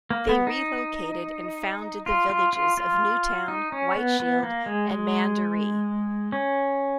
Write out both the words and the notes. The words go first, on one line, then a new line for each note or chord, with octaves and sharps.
They relocated and founded the villages of New Town, White Shield, and Mandaree.
A#3
B3
D#4
F4
F4
F4
F4
D#4
C#4
B3
B3
A#3
G#3
G#3
C#4